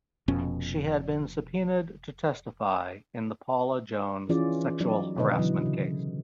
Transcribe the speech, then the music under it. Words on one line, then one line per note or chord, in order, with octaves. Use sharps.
She had been subpoenaed to testify in the Paula Jones sexual harassment case.
F1 F2 B2 C#4
E3 C#4 F4 G#4 D5
F#3 D#4 D5
B2 D3 D#3 D#4 B4 D#5
D3 E3 F#3
C#3